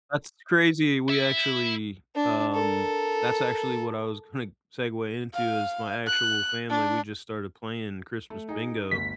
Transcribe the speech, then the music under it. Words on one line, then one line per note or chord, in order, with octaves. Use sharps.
That's crazy. We actually, um that's actually what I was gonna segue into is my actual family, we just started playing Christmas bingo.
E4 E5
D4
A4 A#4
F5
F#6
D4
A3
D#4 G#4 G#5
G1 D2 B6